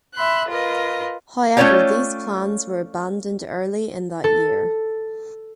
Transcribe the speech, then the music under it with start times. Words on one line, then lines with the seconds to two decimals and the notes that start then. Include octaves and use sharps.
However, these plans were abandoned early in that year.
0.15 E5 B5 C6 F#6
0.48 F4 A#4 B4 D#5
1.57 A3 C#4 F4 C#5 D5 G5
4.24 A4